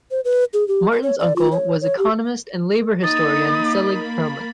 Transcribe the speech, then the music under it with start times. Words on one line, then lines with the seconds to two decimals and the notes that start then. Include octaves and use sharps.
Martin's uncle was economist and labor historian Selig Perlman.
0.11 C5
0.25 B4
0.53 G#4
0.68 G4
0.91 A#4
1.03 C#5
1.19 D5
1.36 F4
1.52 C#5
1.81 C#5
1.99 G4
3.04 A#3 D#4 B5 D#6 A6